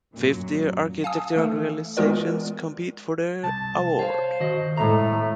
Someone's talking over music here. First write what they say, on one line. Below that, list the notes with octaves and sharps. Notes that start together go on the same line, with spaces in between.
Fifty architectural realizations compete for the award.
F#2 A#2 F#3
F5 G#5 A5 D#6
E3 A3 A4
E3 G#3 B3 F4 A#4 D5
C2 A5
C5 C#5 F5
D#3 F#4 D#5
A2 G#3 A3 A#5